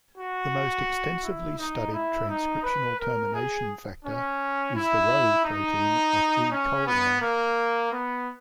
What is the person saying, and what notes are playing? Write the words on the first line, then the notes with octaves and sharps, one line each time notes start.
The most extensively studied transcriptional termination factor is the Rho protein of "E. coli".
F#4
E4
D#4
E4
D#4
B4
A#4
G#4
C#4
E4
D#4
C#4
B3
A#3
B3